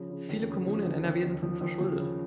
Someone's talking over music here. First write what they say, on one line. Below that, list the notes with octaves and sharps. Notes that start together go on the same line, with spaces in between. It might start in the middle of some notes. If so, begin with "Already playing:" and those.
Viele Kommunen in NRW sind hochverschuldet.
Already playing: C#3 F3
C#3
D#2
C#3
F3
D#2
D#2
D#2
F3
D#2
F3
C#3